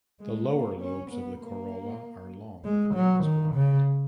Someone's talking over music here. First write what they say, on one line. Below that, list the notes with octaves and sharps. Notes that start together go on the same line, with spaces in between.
The lower lobes of the corolla are long with wings wide.
G#3
A#3
C#4
B3
A#3
G#3
F#3
D#3
C#3